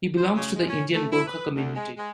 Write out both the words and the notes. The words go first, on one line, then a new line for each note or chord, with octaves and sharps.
He belongs to the Indian Gorkha community.
C5
C#3
G#3
C#4
A3
E4
B4
D2
G#3
G#3